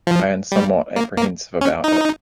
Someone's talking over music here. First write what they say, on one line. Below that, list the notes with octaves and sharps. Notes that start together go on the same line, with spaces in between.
I am somewhat apprehensive about it.
F3
G3
A#3
A#3
C#4
D#4